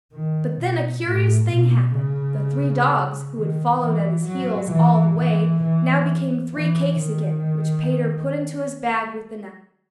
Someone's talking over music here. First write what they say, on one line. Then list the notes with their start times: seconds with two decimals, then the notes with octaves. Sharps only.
But then a curious thing happened; the three dogs, who had followed at his heels all the way, now became three cakes again, which Peter put into his bag with the napkins.
0.14 D#3
0.60 B2
1.05 A2
1.51 B2
1.96 C#3
3.34 D#3
3.80 E3
4.26 F#3
4.71 E3
5.16 E3
5.63 E3
6.54 E3
7.00 D#3